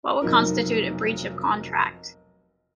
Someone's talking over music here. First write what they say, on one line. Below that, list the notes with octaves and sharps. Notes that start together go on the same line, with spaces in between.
What would constitute a breach of contract?
F1 B1 D#4 A#4